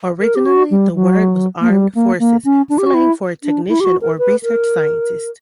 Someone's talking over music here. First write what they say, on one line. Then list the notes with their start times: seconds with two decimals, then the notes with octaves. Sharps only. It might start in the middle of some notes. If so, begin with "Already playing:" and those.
Originally, the word was armed-forces slang for a technician or research scientist.
0.21 A#4
0.35 G4
0.46 F#4
0.71 G3
0.95 F#3
1.61 A#3
1.70 G3
1.95 A#3
2.19 A#3
2.45 C#4
2.69 D4
2.78 G4
2.86 F#4
2.94 E4
3.44 D4
3.69 E4
3.80 G4
3.85 F#4
4.01 A#4
4.18 B4
4.43 A#4